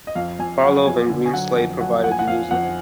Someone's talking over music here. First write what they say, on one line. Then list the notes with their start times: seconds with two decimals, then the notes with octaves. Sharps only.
Farlowe and Greenslade provided the music.
0.07 D#5
0.15 F2 F5
0.39 F2 G#5
0.63 F#3 F#5
0.86 F2 G#5
1.10 D3
1.26 G#5
1.33 F#3 F#5
1.57 F2 F#5
1.80 F#3 F#5
2.04 F3 F#5
2.11 G#5
2.19 F#5
2.27 F2 F5
2.51 F2 F#5